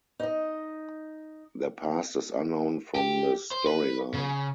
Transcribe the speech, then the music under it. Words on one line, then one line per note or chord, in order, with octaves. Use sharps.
Their past is unknown from the storyline.
D#4 D#5
G4
C5
B4
C#3